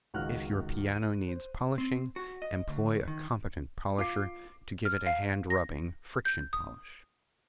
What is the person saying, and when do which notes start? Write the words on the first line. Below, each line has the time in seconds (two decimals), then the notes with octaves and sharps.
If your piano needs polishing employ a competent polisher to give it a hand-rubbing friction polish.
0.14 C#2 D#3 F#4 F6 F#6
0.92 D#7
1.28 C5
1.78 C4
2.16 F#4
2.42 D#5
2.69 D2
3.08 D#3
3.99 F4 D6 C7
4.85 F6
5.06 F5
5.50 A#6
6.25 G6
6.53 D#6